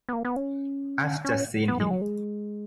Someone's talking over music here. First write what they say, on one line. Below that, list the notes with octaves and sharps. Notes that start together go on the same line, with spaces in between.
I’ve just seen him.
B3
A#3
B3
C#4
C#4
B3
G#3
F#3
G#3